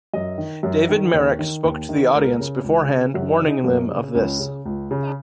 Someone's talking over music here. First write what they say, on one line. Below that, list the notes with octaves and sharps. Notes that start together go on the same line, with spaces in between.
David Merrick spoke to the audience beforehand warning them of this.
F#2 D#5
D#3
F#2
D#3
D#2 C#5
D#3
D#2
D#3
C#2 A#4
C#3
C#2
C#3
F#2 F#4
D#4
C#3
D#4
F#2 A#3
C#3
C#2 C#4
C#3
C#2
C#3